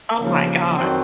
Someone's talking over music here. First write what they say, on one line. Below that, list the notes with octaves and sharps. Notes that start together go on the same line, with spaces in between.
oh my god.
D#2 C#3 F3
F2 D#3 F#3 C4